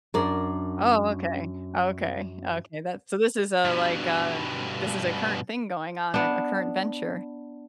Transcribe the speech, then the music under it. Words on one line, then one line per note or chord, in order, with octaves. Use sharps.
Oh, okay, okay, okay, that so this is a like a this is a current thing going on, a a current venture.
F#2 D4 A#4 D5
G2 B2
B3 D4